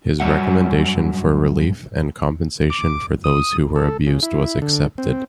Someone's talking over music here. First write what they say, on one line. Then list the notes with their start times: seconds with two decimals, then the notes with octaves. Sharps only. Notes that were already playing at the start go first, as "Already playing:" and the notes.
His recommendation for relief and compensation for those who were abused was accepted.
0.20 F#2 F#3 G3 E5 F#5
2.70 D6
3.24 D#6
3.76 A4
4.07 C#3
4.23 E4
4.62 D3
4.98 C4